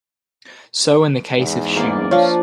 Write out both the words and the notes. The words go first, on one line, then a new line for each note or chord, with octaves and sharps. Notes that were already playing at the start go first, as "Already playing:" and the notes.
So in the case of shoes.
E2 G#2
A#3 D5
F3 D4 C#5 F5